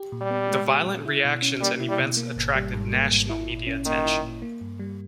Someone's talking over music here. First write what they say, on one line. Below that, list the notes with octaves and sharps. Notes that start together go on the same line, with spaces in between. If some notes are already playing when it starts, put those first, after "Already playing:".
The violent reactions and events attracted national media attention.
Already playing: G4
A#2
G3
B3
G#3
G4
A#2
E4
B2
C#4
G3 A#3
E4
G3
B2
A#3
G#1
G3
G#2
A#3
G#1
E4
A#2
C#4
D#3 A#3
E4
A#2
A#3
G2
G3